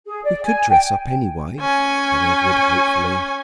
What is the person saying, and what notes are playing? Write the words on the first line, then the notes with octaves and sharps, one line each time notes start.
"We could dress up, anyway," said Edred hopefully.
G#4
D5
G#5
G5
C#4 G#5